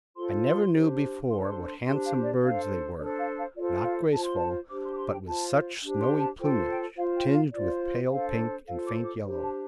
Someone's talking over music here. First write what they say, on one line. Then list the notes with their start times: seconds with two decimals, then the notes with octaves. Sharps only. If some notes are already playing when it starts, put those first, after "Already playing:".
I never knew before what handsome birds they were; not graceful, but with such snowy plumage, tinged with pale pink and faint yellow.
0.15 F4 A4 C5 C6
0.44 C6
0.71 D4 G4 C5
1.28 D4 A4 C5 C6
1.48 C6
1.67 C6
1.85 D4 G4 C5 C6
2.05 F5
2.23 D5
2.42 D4 A4 C5 F5
2.98 D4 A4 C5 D5
3.18 F5
3.37 F5
3.56 F4 A4 C5 D5
3.83 F5
4.13 F4 C5 A5
4.24 C6
4.37 A5
4.69 D4 G4 C5 D6
4.83 C6
4.91 D6
4.97 C6
5.11 G5
5.26 F4 C5 A5
5.82 D4 G4 C5
6.01 C6
6.20 A5
6.39 F4 A4 C5 G5
6.68 G5
6.95 F4 C5 F5
7.16 G5
7.33 F5
7.52 F4 C5 D5
8.10 D4 A4 C5 F5
8.66 F4 A4 C5 F5
8.86 D6
9.04 D6
9.23 D4 G4 C5
9.42 A5